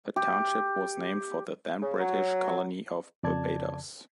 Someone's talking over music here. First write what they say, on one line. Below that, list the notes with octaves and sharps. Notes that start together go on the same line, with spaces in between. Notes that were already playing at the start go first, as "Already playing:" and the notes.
The township was named for the then-British colony of Barbados.
G4
C#3
F#3
F2 C#3 D5 A5 G#6